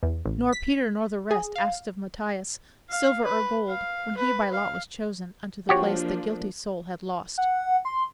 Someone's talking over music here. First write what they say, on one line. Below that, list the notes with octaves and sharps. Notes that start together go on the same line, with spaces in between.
Nor Peter nor the rest asked of Matthias Silver or gold, when he by lot was chosen Unto the place the guilty soul had lost.
E2
A1
B6
G#4
F5
F5
B4
F5
B4
F5
F3 A#3 D4 F#4 G4 C#5
F#5
C6